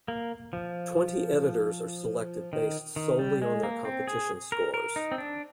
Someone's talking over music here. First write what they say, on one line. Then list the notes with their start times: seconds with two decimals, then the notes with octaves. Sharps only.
Twenty editors are selected based solely on their competition scores.
0.08 A#3
0.53 F3
2.53 D#3
2.96 D#3
3.19 G3
3.42 G#3
3.63 A#3
3.85 C4
4.07 G#4
4.52 A#4
4.74 A#4
4.96 D#4
5.11 C4
5.18 D4